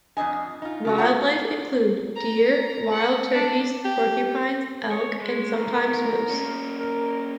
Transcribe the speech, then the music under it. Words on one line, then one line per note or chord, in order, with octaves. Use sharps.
Wildlife includes deer, wild turkeys, porcupines, elk, and sometimes moose.
F2 G#2 D4 D#5 G#5
D#4 F4
C#3 F4 F#4
B3 F#4 C#5 F#5 A#5
A#5
F#5
D4
G4
C#5
G#3
C2 A2 A#4
A#3 C#4
A#4